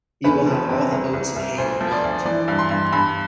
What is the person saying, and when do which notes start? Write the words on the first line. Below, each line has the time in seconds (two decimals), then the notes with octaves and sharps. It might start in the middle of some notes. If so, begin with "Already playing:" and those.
You will have all the oats and hay you want.
0.24 E2 B4
0.46 F3
0.69 C3
0.91 C2
1.13 C2
1.36 C2
1.58 D2 C5
1.81 F3
1.92 D5
2.04 D2
2.25 E3 D5
2.48 G2
2.59 C6
2.70 G2
2.92 G2 B5